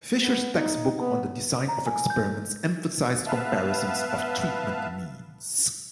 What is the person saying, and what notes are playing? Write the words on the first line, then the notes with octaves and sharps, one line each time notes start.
Fisher's textbook on the design of experiments emphasized comparisons of treatment means.
B3
D#4
B3
A#5
G#5
G6
B3 B4 E5 F5 A5